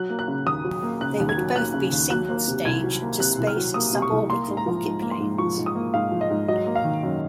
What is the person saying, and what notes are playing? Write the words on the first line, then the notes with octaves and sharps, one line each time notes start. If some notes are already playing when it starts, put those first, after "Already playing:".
They would both be single-stage to space sub-orbital rocketplanes.
Already playing: F#3 F#6
A#3
F#6
C#3
D#2 D#6
F#3
A#3
C#3 F#6
D#2
G#6
F#3
A#3 F#6
C#3
D#2
F#3 F#6
A#3
C3
C2 G#6
F#3
A#3
C3 F#6
C2
F6
F#3
A#3 D#6
C3
C#6
C2
A#3 C6
G#2
A#5
F3
G#2
A#3
C6
G#2
F3 C#6
G#2
D#6
A#3
G#2 F5
F3
D#5
G#2
F#3 D#5
A#3
F5
D#3
F#2